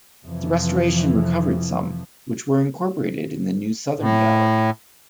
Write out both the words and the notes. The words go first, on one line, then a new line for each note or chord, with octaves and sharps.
The restoration recovered some, which were incorporated in the new southern gallery.
F2 C3 E3 F3
A2